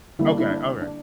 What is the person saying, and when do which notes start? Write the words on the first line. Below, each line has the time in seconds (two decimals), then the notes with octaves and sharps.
Okay, alright.
0.19 D3 G3 A#3 E4
0.28 D4
0.39 E4
0.51 D4
0.82 D4